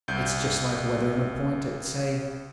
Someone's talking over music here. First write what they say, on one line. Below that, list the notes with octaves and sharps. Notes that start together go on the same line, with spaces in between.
It's just like weatherin' a point at say.
C2 G6